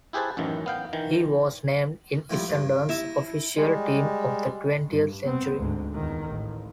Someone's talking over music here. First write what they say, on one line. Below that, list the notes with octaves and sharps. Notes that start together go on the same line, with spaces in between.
He was named in Essendon's official 'Team of the Twentieth Century'.
E4 G4 G#4 B4 C5 A5
A1 F#2 D#3 E3
B3 F5 G5
D#3 E3
A2 F3 G3
G2
D#4 E4 E5
G3 G#3
G2
B3 C4
D2 G#2
E2 D#3
A1